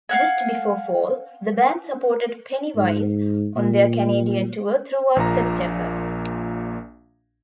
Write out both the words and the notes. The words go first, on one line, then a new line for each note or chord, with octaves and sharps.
Just before fall, the band supported Pennywise on their Canadian tour throughout September.
F5 F#5 G#5
G#2
A#2
A#1 A#2 A#5